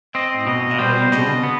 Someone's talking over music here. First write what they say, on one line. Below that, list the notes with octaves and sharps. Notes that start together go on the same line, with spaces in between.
Uh, l a battle angel,
C4 D#5
B2 D#5
G3 C5
B2 D#5
B3